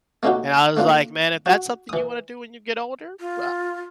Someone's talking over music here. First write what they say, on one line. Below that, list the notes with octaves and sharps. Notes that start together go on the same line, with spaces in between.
And I was like, "Man, if that's something you wanna do when you get older? Well I"
A3 A#3 C#4 D#4 F#4 G4
A3 A#3 D4 F4
F#4
E3 D#6
F4